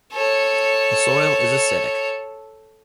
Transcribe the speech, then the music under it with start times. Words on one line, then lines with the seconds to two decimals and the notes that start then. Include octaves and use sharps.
The soil is acidic.
0.13 A4 C#5